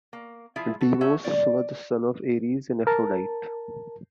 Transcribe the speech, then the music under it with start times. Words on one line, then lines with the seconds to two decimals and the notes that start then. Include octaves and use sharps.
Deimos was the son of Ares and Aphrodite.
0.13 A#3
0.56 F3 E4 F4 G#4 E5
0.81 F#4 A4
1.01 A3 C#4 F#4 E5
1.25 D5
2.87 A#4 A5